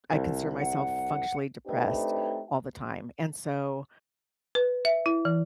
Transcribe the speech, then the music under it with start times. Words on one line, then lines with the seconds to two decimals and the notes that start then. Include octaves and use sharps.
I consider myself functionally depressed all the time, and so,
0.13 C2
0.59 F#5
1.67 A3 C4 D4 D#4 G4 B4
4.55 B4
4.85 E5
5.06 E4
5.25 E3